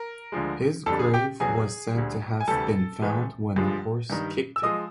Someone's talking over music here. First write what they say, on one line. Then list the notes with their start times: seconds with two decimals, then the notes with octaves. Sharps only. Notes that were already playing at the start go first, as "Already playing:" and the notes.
His grave was said to have been found when a horse kicked it.
Already playing: A#4
0.32 D2 D3 F3 G#3
0.86 F2 D3 G3 A4 A5
0.99 G#4 G#5
1.14 G4 G5
1.40 E2 B2 F#3 G#4 G#5
1.95 D2 D3 G3
2.40 G#5
2.48 D2 C3 E3 G3 A4 A5
3.02 A2 E3 G#3
3.56 G2 D3 F3 G#3
4.10 G2 D#3 G3
4.56 E6
4.63 F3 G#3 D#5 D#6